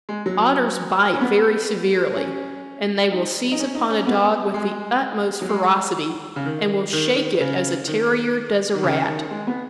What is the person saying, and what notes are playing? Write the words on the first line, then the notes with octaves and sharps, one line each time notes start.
Otters bite very severely, and they will seize upon a dog with the utmost ferocity, and will shake it as a terrier does a rat.
G#3
F#3
C#4
B3
C#4
D#4
D#4
C#4
D#4
C#4
B3
G#3
F#3
G#3
C#3
D#3
D#3
D#3
C#3
D#3
D#3
C#3
D#3
G#3
B3